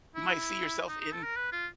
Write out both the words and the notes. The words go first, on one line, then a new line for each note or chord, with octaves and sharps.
You might see yourself in
E4
D#4
D#4
A4
A#4
B4
F4